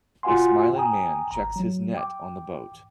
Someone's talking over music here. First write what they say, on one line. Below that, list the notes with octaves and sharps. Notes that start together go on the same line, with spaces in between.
A smiling man checks his net on the boat.
F4 F#4 F5 F#5 G#5 C6
G5 G#5 A#5 D#6
G#1 A#5
F#3
G5 D6